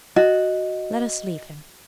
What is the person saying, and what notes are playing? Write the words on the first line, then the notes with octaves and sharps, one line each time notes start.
Let us leave him.
F#4 D#5